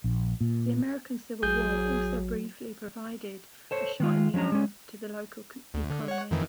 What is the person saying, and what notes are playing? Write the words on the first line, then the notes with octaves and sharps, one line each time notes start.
The American Civil War, also, briefly, provided a shot-in-the-arm to the local economy.
A#1
A#2
A1 F#3 G#4 G6
A4 C5 C#5
D#3 G#3 F4
F3 F#3 C#4 D4 A#5
G#3 C#4
D2
D3
C#5 F#5
F2 D#3 E3